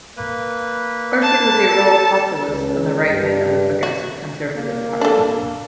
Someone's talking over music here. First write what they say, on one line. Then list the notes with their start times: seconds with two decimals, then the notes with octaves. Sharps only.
Orchard was a rural populist, on the right-wing of the Progressive Conservative Party.
0.17 A#3 B4
1.22 A5
1.68 A4
2.49 C#2
3.11 G2
3.83 F#4
4.57 A#3
5.01 D4 A4